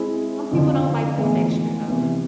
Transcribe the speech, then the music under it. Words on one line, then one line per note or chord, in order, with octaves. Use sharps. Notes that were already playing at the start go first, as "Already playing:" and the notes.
some people don't like the texture though,
Already playing: G#3 C4 E4 G#4
F2 D3 F3
A2 E3 G#3 B3
C3 E3 B3